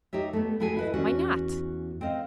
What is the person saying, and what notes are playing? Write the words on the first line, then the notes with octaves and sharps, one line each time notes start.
"Why not?"
D#4 G4 C#5 E5
A3 B3
A3 E4 F#4 G#4 A4 G#5
E4 B4 D#5
E2 C#4 F#4
C4 C5 D#5 F5